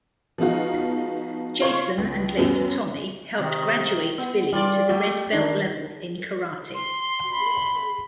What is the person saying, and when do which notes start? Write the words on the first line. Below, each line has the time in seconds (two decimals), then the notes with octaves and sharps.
Jason and later Tommy helped graduate Billy to the red belt level in karate.
0.38 F3 G#3 B3 D#4 F4 F#4
1.60 F4 C#5 C6 C#6
1.98 C#2
2.37 F#2 F#3 G3 B3 C#4
3.39 C3 D#3
4.18 B3
4.53 G3 F4 D5
4.89 A3 G4
5.32 D#3 D4
6.74 C6
7.33 B5